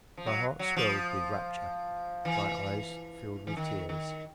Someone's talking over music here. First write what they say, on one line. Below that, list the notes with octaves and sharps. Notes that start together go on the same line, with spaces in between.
My heart swelled with rapture, my eyes filled with tears.
F3
F#3
F#3
F3
E3
E3
D#3
D#3